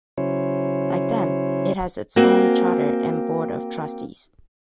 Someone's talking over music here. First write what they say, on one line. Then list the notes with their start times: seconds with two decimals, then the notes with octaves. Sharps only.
Like them, it has its own charter and Board of Trustees.
0.18 C#3 F#3 C#4 E4 C5 C#5
2.16 A#3 C4 F#4 G#5